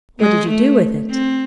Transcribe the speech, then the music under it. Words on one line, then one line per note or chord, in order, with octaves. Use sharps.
'What did you do with it?'
G#3
A3
C4